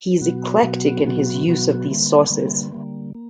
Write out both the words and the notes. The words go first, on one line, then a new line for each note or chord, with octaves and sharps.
He is eclectic in his use of these sources.
B2 F#3 B3 F#4
B2 F#3 B3 F#4
B2 F#3 B3 F#4
B2 F#3 B3 F#4
D3 G3 A#3
D3 G3 A#3
D3 G3 A#3
A#3